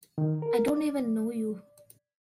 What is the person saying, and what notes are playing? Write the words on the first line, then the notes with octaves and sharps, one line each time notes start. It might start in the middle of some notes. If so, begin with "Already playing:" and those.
I don't even know you.
D#3
A#4
D5